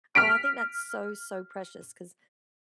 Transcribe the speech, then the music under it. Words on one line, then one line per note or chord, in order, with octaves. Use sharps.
oh, I think that's so, so precious 'cause,
F6 B6 D7